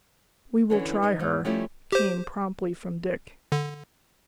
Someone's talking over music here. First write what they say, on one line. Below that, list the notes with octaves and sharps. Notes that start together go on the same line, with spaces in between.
"We will try her," came promptly from Dick.
D3 E3 C#4
D#4 D#5
G#2 D#4
F3 G3 A3 C#4 E4 G4
G4 C5
D3